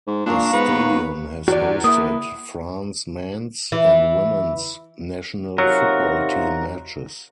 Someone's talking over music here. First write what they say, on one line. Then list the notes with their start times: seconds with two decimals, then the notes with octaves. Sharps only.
The stadium has hosted France men's and women's national football team matches.
0.07 G#2
0.26 A#2 D4 F5 A#5 C#6
0.53 G#2 B3
0.69 D#2
1.48 E2 F#4 D5
1.84 A#3 E4 D#6
3.72 E3
5.58 C3 F#3 D#4 F4 F#4 A#4